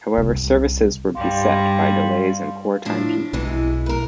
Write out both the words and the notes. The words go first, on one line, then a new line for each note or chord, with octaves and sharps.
However, services were beset by delays and poor timekeeping.
C2 C3
G2 G3 F5 C6
A2 F3 D4
B1 C3 E3 G#3
A#4 B4